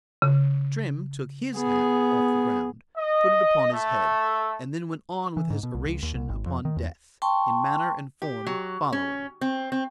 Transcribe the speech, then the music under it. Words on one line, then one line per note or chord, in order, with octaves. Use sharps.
Trim took his hat off the ground,--put it upon his head,--and then went on with his oration upon death, in manner and form following.
C#3
B3 G#4
D#5
A3
E3
G#2
B2
C2
C#2
D#2
C2
G#1
F2
D#3
E2
G5 A5 C6 C#6
G4
F#3
C#4
C4
C4